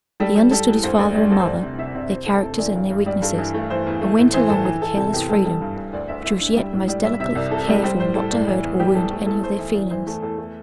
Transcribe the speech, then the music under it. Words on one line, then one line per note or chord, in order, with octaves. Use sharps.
He understood his father and mother--their characters and their weaknesses, and went along with a careless freedom, which was yet most delicately careful not to hurt or wound any of their feelings.
G3 A4
G3
G3 A4
E2
D2 C5
D2 D5
G3 D5
D2 A4
C5
D2 D5
C3
C3 E5
C3 D5
C3 C5
D2 A4
C3 A4
E3 D5
G2
G2
G3 D5
G2 A4
E3
A3
E3 C5
E2
A3
A2
E3 C5
A2 A4
E3
E3 A4
C3 A4
E2 G4
G3 A4
G3 A4
G2
G2
D2 D5
D2 E5
D2 E5
D3
G3
A2
G3 D5
G3 E5
C3 E5
C2 D5
C3 A4
G3 D5
G3 C5
A2 C5
A2 A4
A2 D5
E3 D5
E2
G3 G4
E2 A4
A3
E2 A4
A3 C5
E3
E2 D5
E3 C5
A3 A4
E2 A4
A3